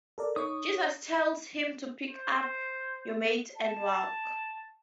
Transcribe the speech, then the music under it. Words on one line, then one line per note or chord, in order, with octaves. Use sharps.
Jesus tells him to Pick up your mat and walk!
A4 A#4 D5
D#4 C#5 C#6 D#6
C5
A5